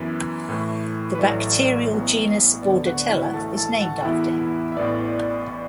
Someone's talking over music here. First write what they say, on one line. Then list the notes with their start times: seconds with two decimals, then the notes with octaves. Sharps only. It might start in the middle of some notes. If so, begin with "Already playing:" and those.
The bacterial genus "Bordetella" is named after him.
Already playing: F#2 E3 B3 B4
0.49 A2 E3 A3
1.15 B4
1.19 A1 A2 F#3 A3 D5
1.91 A1 A2 F#3 B3
2.63 D2 D3 B3 D5
2.86 F#4 F#5
3.10 E4 E5
3.26 F#5
3.34 A1 A2 A3 A4 A5
3.57 A4 A5
3.77 A5
3.81 F#4 F#5
4.05 E2 E3 B3 E4 E5
4.72 E5
4.77 A1 A2 E3 B3 D5